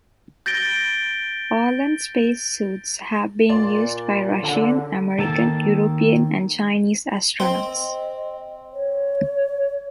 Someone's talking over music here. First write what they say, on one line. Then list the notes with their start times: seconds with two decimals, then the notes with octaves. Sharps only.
Orlan space suits have been used by Russian, American, European and Chinese astronauts.
0.46 G6 A6 A#6 D7 G7
3.49 A#2 D5 C6
4.43 D3
5.18 D#3 A#3 A4 A5
7.40 C4 D#5
8.73 C#5